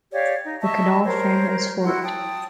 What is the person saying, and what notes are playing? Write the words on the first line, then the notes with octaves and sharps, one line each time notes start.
The caudal fin is forked.
G4 C#5 D5 F5
D#4
D#5 E5 A5 C#6
A#4 C5 C#5 G6
E4 F#4 F#5 C6
G5 A5 D#6